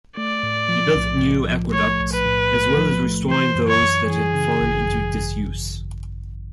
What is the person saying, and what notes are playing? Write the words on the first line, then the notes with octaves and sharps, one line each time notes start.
He built new aqueducts as well as restoring those that had fallen into disuse.
A3 D5
A2
F3
B1
A2
F3
A3 C#5
B1
B4
A2
A3
F3
A3
E3 C5
F#2
C#5
F#2
E3 G#4
C#3
G#1
F#2
G#1